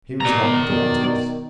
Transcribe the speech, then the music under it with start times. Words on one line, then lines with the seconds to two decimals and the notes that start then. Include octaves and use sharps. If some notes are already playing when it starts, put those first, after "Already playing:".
He was not daunted.
0.21 B2 D#3 D5 A#5